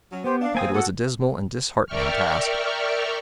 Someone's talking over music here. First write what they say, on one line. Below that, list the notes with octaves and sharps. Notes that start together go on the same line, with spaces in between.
It was a dismal and disheartening task.
F#3 C#4
B3 G4 C5
D4 F5
A#3 C4 G#5 D#6
F#4 A4 F#5
A#4 D5 E5 G5 C#6 F6